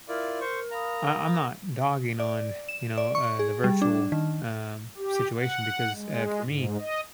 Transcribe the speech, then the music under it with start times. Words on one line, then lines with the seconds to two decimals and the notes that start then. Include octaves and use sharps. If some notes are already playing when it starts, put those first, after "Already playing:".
I I'm not dogging on, you know, uh, the virtual, um, situation because, eh, for me,
0.08 E4 F4 A#4 D5
0.41 C5 C#6
0.71 F5 A#5 B5 D#6
2.20 D5
2.69 E7
2.98 D5
3.15 C#6
3.39 G#4
3.64 G3
3.82 D4
4.12 D#3
4.97 G4
5.37 F#5
5.93 G#3
6.42 G#2
6.78 D#5